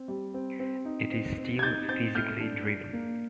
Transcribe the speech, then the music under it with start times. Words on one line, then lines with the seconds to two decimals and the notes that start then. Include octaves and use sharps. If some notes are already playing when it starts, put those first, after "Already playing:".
It is still physically driven.
Already playing: C4
0.08 G3
0.34 C4
0.60 C4
0.85 D#4
1.11 C4
1.38 C4
1.59 G#6
1.63 D#4 G6 A6
1.89 C4 G6 A6
2.15 A2 F6 G6
2.40 D4
2.67 D4
2.93 A#3